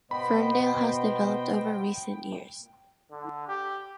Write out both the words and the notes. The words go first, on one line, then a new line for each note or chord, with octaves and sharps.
Ferndale has developed over recent years.
B2 B3 C5 D#5 G5 B5
D3
G4